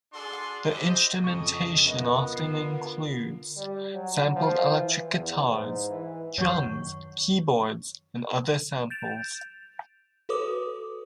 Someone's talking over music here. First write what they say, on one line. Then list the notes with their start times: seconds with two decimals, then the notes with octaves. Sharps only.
Their instrumentation often includes sampled electric guitars, drums, keyboards, and other samples.
0.13 D4 F#4 G#4 A4 C6
0.68 E4 G4 C5 D#5
1.24 F2 C#3 D#5 C#6
1.87 B3 F4 A#4 D#5
2.36 D3 C7
3.57 G3
3.94 F#3
4.36 F3
4.74 E3
5.13 E2
5.48 G#2
5.89 E3
6.38 F#2 D#3 C#5 F#5 C#6
8.90 G6 A6 D7 E7 F7
10.29 F#4 A4 B4 C#5 D6 D#6